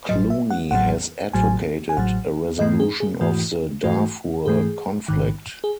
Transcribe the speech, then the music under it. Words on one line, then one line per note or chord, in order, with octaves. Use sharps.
Clooney has advocated a resolution of the Darfur conflict.
A1 A2 F#3 D#5
E5
F#5
A1 A2 F#3 F#5
A1 A2 F#3 G#5
G#5
A1 A2 F#3 F#5
G#2 E3 A3 D#5
G#4
G#4
G#2 E3 A3 F#4
G#2 E3 A3 F#4
G#2 E3 A3 G#4
A1 G#2 D#3
G#4